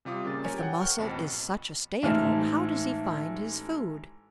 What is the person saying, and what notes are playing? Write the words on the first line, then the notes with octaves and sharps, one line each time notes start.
If the Mussel is such a stay-at-home, how does he find his food?
C3 G3 F4 D6 D#6
A#2 C#3 A#4 A6
G4 A#4 C#5 G#5
F#5 G5
F#5 G5 C#6 F6
A1 F2 B2 C4
A1 G#2 A5 F6